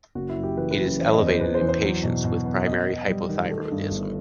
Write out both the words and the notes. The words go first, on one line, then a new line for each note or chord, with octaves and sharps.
It is elevated in patients with primary hypothyroidism.
F#1 F#4
E4
F#2
G4
E3 B4
B4
F#2
B4
E3 C5
D#5
E2
C5
E2 B4
C5
E3
C5
F#3 C5
B2
B2
B3
B3 D#5
B3
G3
D#3
A3
G2
G1